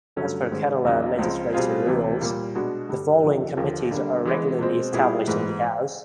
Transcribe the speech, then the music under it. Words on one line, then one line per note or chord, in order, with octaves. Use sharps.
As per Kerala Legislature Rules, the following committees are regularly established in the house.
G2 D3 F#3 A3 C#4
G#2 D#3 G#3 C#4
E2 C#3 F#3 A#3 D#4
C#2 C#3 F3 G#3 C4
B2 G3 C4 F4 G#4
D2 C3 E3
A#2 G3 A#3
B2 G#3 B3 D4 F#4
G2 D3 G3
F2 D3 F3
D#2 D3 F3 A#3
D3 G3 A#3 D4
E3 G#3 B3
B2 G#3 C4
A#2 G3 B3 E4 G#4
G#2 E3 G#3 B3